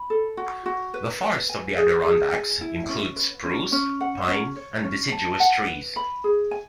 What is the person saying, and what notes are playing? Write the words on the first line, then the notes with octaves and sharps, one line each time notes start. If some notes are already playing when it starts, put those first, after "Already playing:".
The forests of the Adirondacks include spruce, pine and deciduous trees.
Already playing: B5
A4
F#4
F#4
B4
B4
G#5
G#4
G#4
G#5
E4
C#4
B4
C#4
C#4
F#5
C#4
C#5
C#4
A5
F#5
B4
B5
G#4
G#5